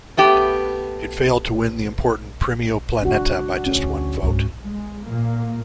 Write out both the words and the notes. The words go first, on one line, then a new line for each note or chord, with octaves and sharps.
It failed to win the important Premio Planeta by just one vote.
A3 B3 G4
C#3 G#3 D4 F#4
D2 C#4
C#2 G#2
G#3
A#2 A#3